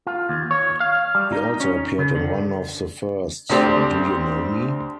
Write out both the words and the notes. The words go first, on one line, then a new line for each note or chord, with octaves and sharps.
He also appeared in one of the first Do you know me?
F4
D#2
C#5
F5
G3
D#4
C#4
C#3
D3
D2 A3 C4 G4 D5 G5